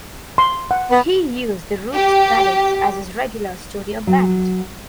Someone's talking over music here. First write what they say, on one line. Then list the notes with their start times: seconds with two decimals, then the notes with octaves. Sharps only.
He used the Roots Radics as his regular studio band.
0.38 C6
0.71 F#5
0.91 B3
1.93 G4
4.07 F#3